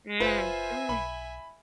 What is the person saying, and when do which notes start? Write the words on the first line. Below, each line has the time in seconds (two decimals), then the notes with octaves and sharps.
Mm, mm.
0.20 F#1 F4 B4 C5 E5 G#5
0.89 B1 B5